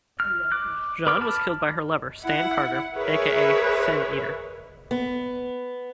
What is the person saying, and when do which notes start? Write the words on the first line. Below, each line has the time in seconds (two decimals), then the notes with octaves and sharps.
Jean was killed by her lover Stan Carter, aka Sin-Eater.
0.20 F6
0.52 D6 F#6
1.07 B4 D6 F6
1.21 A5 B5 F6
2.22 E4 F#5
2.95 G#4 A#4 B4 C#5 E5
4.91 B3